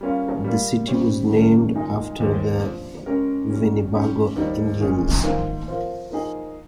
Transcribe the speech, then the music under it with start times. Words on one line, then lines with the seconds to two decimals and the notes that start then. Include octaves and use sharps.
The city was named after the Winnebago Indians.
0.01 G3 A#3 C#4 F4
0.44 G3 A#3 F4
0.87 C#3 G3 C4 G4 C#5
1.31 D#3 G3 C#4
1.75 A#2 G#3 D#4 G#4 D#5
2.18 D#2 D#3 G#3 C4 G4
2.62 G2 F3 C4
3.06 C#3 G#3 C#4 G4 A#4
3.50 G2 G3 C#4
3.92 G#2 G3 C#4 G4
4.36 D#2 D#3 G3 C4 D#4
4.80 A#2 G#3 C#4 G#4
5.23 G#2 D#3 A#3 F4 C5
5.68 F3 C4 F4 A#4
6.11 F3 A#3 D#4 G#4